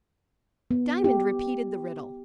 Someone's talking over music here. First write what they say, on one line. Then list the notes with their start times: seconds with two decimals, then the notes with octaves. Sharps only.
Diamond repeated the riddle.
0.71 B3
1.04 G4